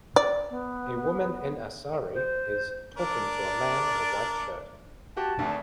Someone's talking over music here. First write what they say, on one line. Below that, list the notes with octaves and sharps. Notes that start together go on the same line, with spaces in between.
A woman in a sari is talking to a man in a white shirt.
D5
B3
C5
D4 A#4 D5
F#4 G4 A5
G#1 D2